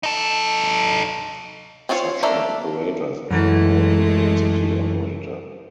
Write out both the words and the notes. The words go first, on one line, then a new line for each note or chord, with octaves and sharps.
Such an operator is often called a "density operator".
D#4 A4
C4 C#4 F4 A4 C#5
A#3 D4 A4 A#4 E5
F#2 E3 G#3 A3